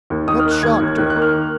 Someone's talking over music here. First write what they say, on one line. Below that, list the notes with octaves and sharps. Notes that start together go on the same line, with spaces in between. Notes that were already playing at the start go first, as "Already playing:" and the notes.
"What shocked her?"
D#2
D#3 D#6
F6
A#3
F#6
D#2 G#6
D#2
D#3 F#6
F#6
A#3
F6